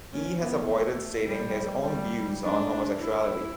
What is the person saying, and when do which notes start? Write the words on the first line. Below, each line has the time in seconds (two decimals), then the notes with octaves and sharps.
He has avoided stating his own views on homosexuality.
0.13 C#4
0.41 B3
0.70 A3
1.27 G3
1.86 G3
2.44 D4
3.01 E4